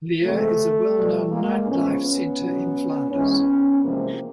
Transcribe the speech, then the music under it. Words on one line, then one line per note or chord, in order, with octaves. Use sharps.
Lier is a well-known nightlife center in Flanders.
F2 C3 E3 G#3 A3
B2 G3
G#3 A#3
A2 F3 G#3 B3 C#4
B3 C#4
B2 F#3
G#2 E3 G#3 B3 C#4
E2 C3 F3 G#3 A#3 C4